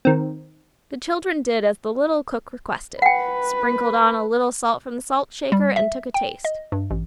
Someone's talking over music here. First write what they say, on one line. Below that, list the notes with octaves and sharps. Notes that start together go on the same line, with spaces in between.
The children did as the little cook requested, sprinkled on a little salt from the salt shaker, and took a taste.
D#3 C4
B4 F#5 G5
G3
E5
G5
D#5
G2
A1